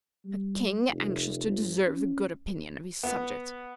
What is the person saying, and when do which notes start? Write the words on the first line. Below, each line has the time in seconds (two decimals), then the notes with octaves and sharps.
A king anxious to deserve the good opinion of his subjects!
0.25 G3
0.89 F1
1.46 G1
1.87 C#4
3.03 B3